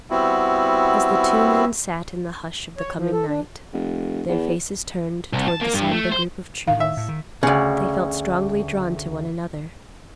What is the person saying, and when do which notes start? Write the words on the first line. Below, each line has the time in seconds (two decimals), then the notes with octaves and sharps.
As the two men sat in the hush of the coming night, their faces turned toward the somber group of trees, they felt strongly drawn to one another.
0.10 G3 B3 C4 E4 F#4
2.78 C#5
2.96 F3
3.12 A4
3.28 D4
3.73 F1
4.29 E2
5.33 C2
5.48 A5
5.61 A#3
5.73 G2
5.91 A3
6.12 C5
6.68 A2 D#3 F5
6.80 E5
6.97 A2
7.09 D#3
7.43 D2 C#3